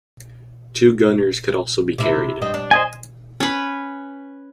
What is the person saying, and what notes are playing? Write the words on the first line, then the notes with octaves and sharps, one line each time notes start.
Two gunners could also be carried.
C3 E4
G2 C4 D#5
D4
C5 D#5 G#5
C#4 B4